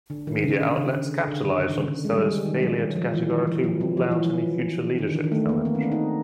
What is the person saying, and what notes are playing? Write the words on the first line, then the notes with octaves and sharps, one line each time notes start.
Media outlets capitalised on Costello's failure to categorically rule out any future leadership challenge.
D3
D#3
C#3
D3
C#3
D3
D3
D3
D3
D#3
C#3
D3
G#3
G3
D#3
F#3
F3
E3
D#3
E3
F3
F#3
F3
E3
F3
D3
D#3
D3
D#3
A3
A#3
B3
C4
D4
D#4